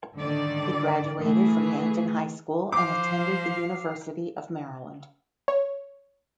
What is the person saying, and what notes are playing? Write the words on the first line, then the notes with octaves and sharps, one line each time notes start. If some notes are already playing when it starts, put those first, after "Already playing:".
He graduated from Yankton High School and attended the University of Maryland.
D3 D#3 D5
E3 A3 G#4
F3 C5 F5 D6
C#5